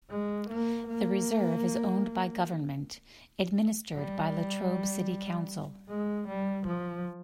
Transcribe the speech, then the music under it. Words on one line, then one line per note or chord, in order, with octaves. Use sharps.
The reserve is owned by government, administered by Latrobe City Council.
G#3
A#3
A#3
G3
G#3
G3
F3